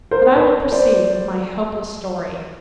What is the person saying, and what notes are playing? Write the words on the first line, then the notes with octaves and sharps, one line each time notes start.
But I will proceed with my hopeless story.
A#4 C5
B4 C#5
C5 D5